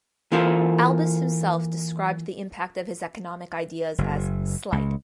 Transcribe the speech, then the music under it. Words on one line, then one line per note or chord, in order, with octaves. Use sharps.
Albus himself described the impact of his economic ideas as "slight".
E3 A#3 F4 A4 C5
F#1
C#2